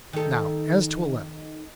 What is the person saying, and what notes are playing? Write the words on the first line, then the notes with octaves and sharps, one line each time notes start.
Now, as to a letter.
D#3 A4